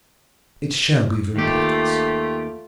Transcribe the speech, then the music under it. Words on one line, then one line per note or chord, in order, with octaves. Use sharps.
"It shall be of importance."
D#2 A3 F4 G4